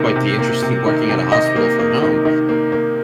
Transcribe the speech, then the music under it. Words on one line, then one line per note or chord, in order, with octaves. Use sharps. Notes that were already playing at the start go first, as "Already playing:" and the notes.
quite the interesting working at a hospital, from home.
Already playing: C3 D#3 A#3
C3
A#3
C3
D#3
C3
D#3 D#5
A#3
A#3
D#3
D#3
A#3
A#3